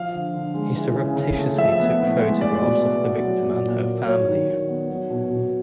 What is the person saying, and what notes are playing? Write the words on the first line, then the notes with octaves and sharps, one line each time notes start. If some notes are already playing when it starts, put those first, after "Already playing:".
He surreptitiously took photographs of the victim and her family.
Already playing: F3 F5
D3
D3
G#3
E3
C#3
C#3
A3
F3 E5
B3
A2
G#3
G#3 D5
B2
B2
B3
F#3
A#2
A#2
A#3
F#3 C#5
D#3
D#3
B3
F#3
B2
B2